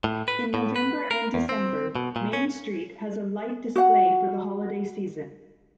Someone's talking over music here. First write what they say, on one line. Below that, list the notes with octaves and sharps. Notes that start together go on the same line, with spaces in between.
In November and December, Main Street has a light display for the holiday season.
A2
B4
A2
B4
A#4
E2
C4
B2
A#2
C#4
F#4 F#5